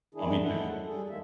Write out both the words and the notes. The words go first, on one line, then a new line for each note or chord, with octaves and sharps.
Oh, me too.
D#3 D4 E4 G#4
G#3 A3 E4 A4 F#5
F#3
G3 G#4 A4
E2 D#3 G#3 A#3 E5